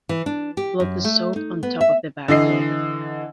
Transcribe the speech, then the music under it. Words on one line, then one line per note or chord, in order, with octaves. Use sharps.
Float the soap on top of the bath water.
E3
D4
G4
F#2
A3
D#4
B3
E5
D3 E3 D#5 C7